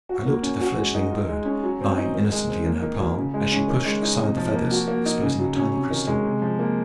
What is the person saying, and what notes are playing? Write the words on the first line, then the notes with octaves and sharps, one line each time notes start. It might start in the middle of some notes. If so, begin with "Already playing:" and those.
I looked at the fledgling bird, lying innocently in her palm, as she pushed aside the feathers, exposing a tiny crystal.
F#4
A#3
C#4
F#4
G#3
D#4
F4
G#3
C#4
F#3
C4
D#4
D#3
G#3
C4
A#3
D#3
F#3
C#3
G#3
C#4
D#3
G#3
D#4
C3
F3
A#3
F#4
A#3
D#4
C#3
F#3
C#4
C3
D#3
G#3
C3
F3
A#3